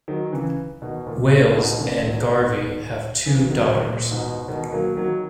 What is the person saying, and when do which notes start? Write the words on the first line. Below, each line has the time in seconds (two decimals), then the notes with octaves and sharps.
Wales and Garvey have two daughters.
0.08 D#3 F#3
0.32 C#3 E3
0.82 B2 D#3
1.07 A#2
1.30 A#2
1.54 G#2 B2
1.79 A#2 C#3
2.03 B2 D#3
3.26 C#3 E3
3.50 D#3 F#3
3.75 A#2
4.11 G#2 B2
4.48 B2 D#3
4.72 F#3 A#3
4.97 D#3 F#3